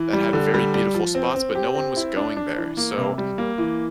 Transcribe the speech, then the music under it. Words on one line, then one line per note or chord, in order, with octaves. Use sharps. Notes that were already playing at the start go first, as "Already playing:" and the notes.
that had very beautiful spots, but no one was going there, so
Already playing: E3
G3
D3
G3
G3
F3
C4
C4
G4
C4
E4
D4
D4
E3
A#3
C3
G3
A#3
E3